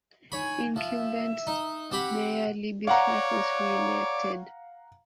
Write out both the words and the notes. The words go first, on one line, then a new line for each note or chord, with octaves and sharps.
Incumbent mayor Libby Schaaf was reelected.
D#4 C#5 G#5 B5
F3 E5
D#4
C4 G4 F#5 B5
C#5 D5 F5 F#5 A#5